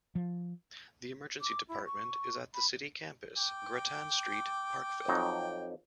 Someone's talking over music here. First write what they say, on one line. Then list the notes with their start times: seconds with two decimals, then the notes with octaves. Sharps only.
The emergency department is at the City Campus, Grattan Street, Parkville.
0.15 F3
1.41 D6
1.69 E4
1.86 C#6
2.54 B5
3.38 G5 D6
5.08 F2 F#3 D#4